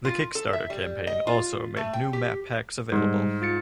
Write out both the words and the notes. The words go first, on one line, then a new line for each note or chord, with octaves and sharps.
The Kickstarter campaign also made new map packs available.
F4
A4
E5
G3
D#5
F4
A3
G5
G4
G#2 G3
F4 A6 C#7